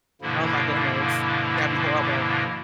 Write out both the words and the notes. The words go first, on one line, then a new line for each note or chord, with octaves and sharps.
Oh, my goodness. That'd be horrible.
G2 B2 D3 F3 A#3 E4